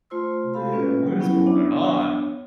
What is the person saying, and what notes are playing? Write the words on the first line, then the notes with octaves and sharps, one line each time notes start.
Yeah, what is going on?
A3 F4 C5 C6 E6
G#3 F#4 G4 A4 F5 B5
A#3 C#4 F4 B4
F#3 G3 F#5
F#3 B3 C#4 E4 F#5
B3 D4 C#5